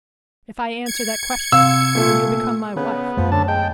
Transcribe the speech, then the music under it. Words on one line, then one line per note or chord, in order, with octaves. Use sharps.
"If I answer that question, will you become my wife?"
G#6 C#7
C3 F5 E6
A#2 A3 F4
C#3 B3
F#2 F3 A3
D3 C#4 A5
G#3 G5